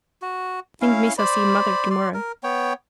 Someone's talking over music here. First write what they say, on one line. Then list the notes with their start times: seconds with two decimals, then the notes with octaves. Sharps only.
Think Missa see Mother to-morrow.
0.22 F#4
0.81 C#4 E4 F5
1.18 C5 D5 B5
1.90 D5 C6
2.14 A#4
2.43 B3 C#5 G5